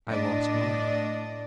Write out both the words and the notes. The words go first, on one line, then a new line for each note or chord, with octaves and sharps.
"I lost mine."
A2 D4 D5 D#5